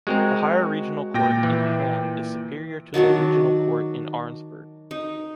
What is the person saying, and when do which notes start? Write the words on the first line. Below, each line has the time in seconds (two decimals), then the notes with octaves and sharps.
The Higher Regional Court in Hamm is superior to the Reginal Court in Arnsberg.
0.07 G#3 C4 F#4 A#4
1.14 A#2 G5 A#6
1.43 E3
2.94 D#3 F#3 D4 F#4
4.91 D#4